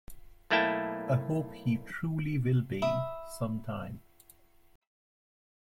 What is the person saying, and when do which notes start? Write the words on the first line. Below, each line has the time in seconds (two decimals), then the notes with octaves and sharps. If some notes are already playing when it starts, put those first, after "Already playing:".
I hope he truly will be, sometime.
0.50 B1 A3 A#3 E4 G5 A5
2.82 E5 B5 D#6